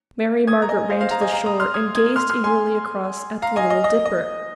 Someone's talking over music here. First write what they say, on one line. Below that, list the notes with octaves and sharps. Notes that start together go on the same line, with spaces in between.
Mary Margaret ran to the shore and gazed eagerly across at the Little Dipper.
D#6 G#6
A#5
D#5 G#5
C5 F5
C5 F5
F5 A#5
D#5 G#5
F5 A#5
A#5 D#6
C6 F6
D#6 G#6
D#6 G#6
C6 F6
C6 F6
G#5 C6
F5 A#5
D#5 G#5
D#5
D#5
D#5